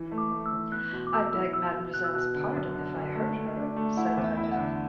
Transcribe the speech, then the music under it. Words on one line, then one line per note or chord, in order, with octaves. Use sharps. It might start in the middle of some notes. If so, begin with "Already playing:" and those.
"I beg mademoiselle's pardon if I hurt her," said Adele.
Already playing: E3
A3
D6
A3
E6
E3
B3 F#6
B2
D6
B2 E6
E4 E6
B2 E6
B2
B2 F#6
E6
B2 F#6
D3
F#2
D3
D3
A3
A3
D4
A3
E4 F#5
E2
E5
E4
E5
F#5
D3